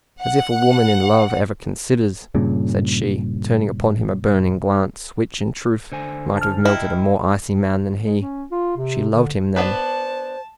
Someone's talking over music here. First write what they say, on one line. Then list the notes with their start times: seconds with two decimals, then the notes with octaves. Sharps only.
"As if a woman in love ever considers!" said she, turning upon him a burning glance, which in truth might have melted a more icy man than he. --She loved him then!
0.21 F#5
2.35 G2 A#2 C#3
5.92 D3 C5 G#5
6.37 A5 F6
6.65 E4 D#5 G5
8.05 G#3
8.21 C#4
8.51 F4
8.77 C3
9.14 D3
9.56 B3 D4 B4 C5 A5